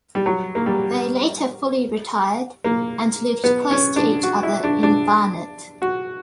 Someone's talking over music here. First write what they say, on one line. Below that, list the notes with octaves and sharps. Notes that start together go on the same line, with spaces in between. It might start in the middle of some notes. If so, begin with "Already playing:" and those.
They later fully retired, and lived close to each other in Barnet.
G3
F#3
A#3
G3
A#3
B3
C#4
D4
F#4
E4
D4
D4
F#4